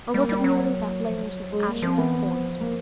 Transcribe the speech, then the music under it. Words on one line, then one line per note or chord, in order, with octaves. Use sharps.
Or was it merely that layers of ashes had formed?
G3 A#3
G3
F#3
F3
F#3
G#3
G3 A#3
F3 C4
E3 B3
F3
A#3